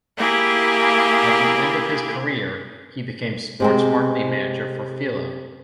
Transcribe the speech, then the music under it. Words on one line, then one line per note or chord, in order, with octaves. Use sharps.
At the end of his career, he became sports marketing manager for Fila.
A#3 E4 G4 G#4
C3 G#3 C4